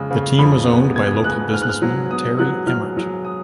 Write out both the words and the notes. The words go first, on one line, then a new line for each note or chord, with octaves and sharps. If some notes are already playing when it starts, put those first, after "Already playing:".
The team was owned by local businessman Terry Emmert.
Already playing: F2 C#3 G#3
C#3
F2 B5
B3
B3 G#6
G#3 F#6
G#2 F6
F#6
F6
F#3
B3 D#6
F#3 F#6
F#3 F6
F#3
D#6